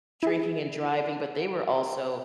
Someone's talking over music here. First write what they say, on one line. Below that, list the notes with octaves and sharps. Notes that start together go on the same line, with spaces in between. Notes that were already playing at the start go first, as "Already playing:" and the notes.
drinking and driving, but they were also,
E4 G#4